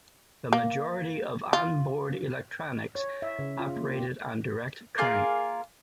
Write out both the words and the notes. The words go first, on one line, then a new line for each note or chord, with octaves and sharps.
The majority of onboard electronics operated on direct current.
A#3
F4
C#5
E5
C#3
F4
A#3
G4
A#3 F4 G#4 A#4